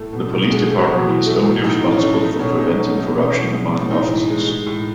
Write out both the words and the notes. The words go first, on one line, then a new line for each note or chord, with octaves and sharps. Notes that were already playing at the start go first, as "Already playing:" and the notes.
The police department is only responsible for preventing corruption among officers.
Already playing: A2 A3
B2
B2
G#3 A3 G#4
A3
F#3 F#4
B2
E3
A3
A2
A2 D#4
E3
C#4
A3
A3 D#4
B2 C#4
B2 D#4
A3 C#4
A3 D#4
B2 C#4
E3
G#3
A2
A2 D#4
E3
G#3
G#3
A2